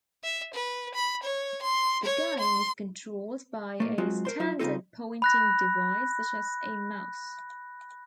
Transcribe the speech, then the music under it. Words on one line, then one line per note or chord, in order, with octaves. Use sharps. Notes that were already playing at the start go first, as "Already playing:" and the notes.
The game is controlled by a standard pointing device such as a mouse.
E5
B4
B5
C#5
C6
C#5
C6
A3 A#3
F#3 G#3 C4 F4 F#4
A#4 C5 C6
F#3 D#4 F4 E5
C#3 A#3 C4 D#4 F4 A4
B5 F#6 A#6